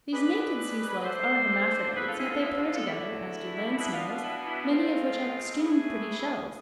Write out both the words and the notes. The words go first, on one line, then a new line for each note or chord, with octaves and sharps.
These naked sea-slugs are hermaphrodites, yet they pair together, as do land-snails, many of which have extremely pretty shells.
C3 G#3 D4 G#4 B4
D3 A3 D4 A4 C5
E2 D3 F3 G#3 C4 G#4 B4
F4 A4
E4 G#4
F4 A4
E4 G#4
F4
F4
F4 A4
E2 D3 A3 E4
B2 B3 D4 E4
F4
F4
E4
E4
A2 G#3 C4 F4
A2 E3 A3 E4 G#4